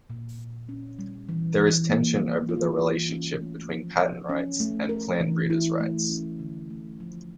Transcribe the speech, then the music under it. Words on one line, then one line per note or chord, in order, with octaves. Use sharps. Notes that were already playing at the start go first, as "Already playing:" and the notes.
There is tension over the relationship between patent rights and plant breeder's rights.
A#2
A#2
C#4
G3
E3
E3
A#3
G3
F4
E3
C#4
A3
F3
F3
C#4
A3
A#4
E3
E4
A3
C#4
D3
A3
F3